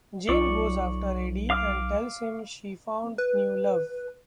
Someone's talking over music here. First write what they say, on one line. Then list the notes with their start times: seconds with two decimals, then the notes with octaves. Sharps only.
Jane goes after Eddie and tells him she found new love.
0.29 B1 F4 D5 C#6
1.50 F5 D6 F6
3.18 B4